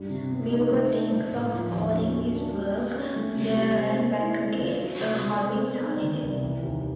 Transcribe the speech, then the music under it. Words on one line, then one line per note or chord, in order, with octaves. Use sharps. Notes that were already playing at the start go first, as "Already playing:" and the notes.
Bilbo thinks of calling his work "There and Back Again, A Hobbit's Holiday".
Already playing: G2 G3
C3
B3
D#4
A3
D4
A3
A2
F3
D#2
C#4
F#4
D4
G4
A#3
C#4
A3
C3
G3
C4
C4
E4
C4
F4
F#3
C3
G#3
C4
B3
D#4
D#3
C2
E3
D#2